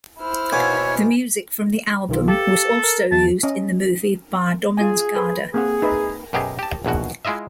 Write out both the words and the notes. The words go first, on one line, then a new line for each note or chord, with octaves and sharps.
The music from the album was also used in the movie "Barndommens gade".
E4 C5 F6
B2 B3 C#5 G#5 D6
B1 D#3 F4
G4 A4 F5 A5
A#4
E2 A5
C#4 D#5
F4 G#4 G#5
A4 B4 C5
A#3 C4 G#4 F#5
D#4 B4 E5
F#2 B2 G4 G#4
G4 A5
A#1 E2 B2 F#4
G#3 E4 F4 D#5 E5